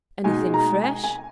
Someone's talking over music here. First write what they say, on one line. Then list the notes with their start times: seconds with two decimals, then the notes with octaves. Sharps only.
Anything fresh?'
0.24 B2 G#3 D#4 G#5
0.54 A#5
0.84 G#5
1.04 G#5